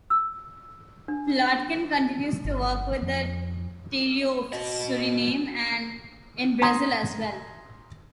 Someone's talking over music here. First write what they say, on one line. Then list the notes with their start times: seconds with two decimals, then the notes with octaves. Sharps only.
Plotkin continues to work with the Tirio of Suriname, and in Brazil as well.
0.10 E6
1.08 D4
2.45 G1
3.02 F2
4.53 F#4 D#5
6.62 A#5 C6 D#6 G#6